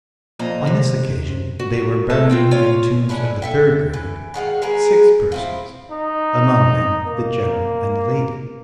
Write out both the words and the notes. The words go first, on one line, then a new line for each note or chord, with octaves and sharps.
On this occasion they were burying in tombs of the third grade six persons, among them the general and the lady.
F2 A#2 D#5 A#5
C3
F#4
A2 G#3 A3 A5
C4 F4 G5
F4 C#5
G#3 C#4 D4 E4
A4 E5 G5
E3
D#3 G#3 F#4 F5
G#3 G#4 A#4 B4
F3 C4 E4
D#4
A#3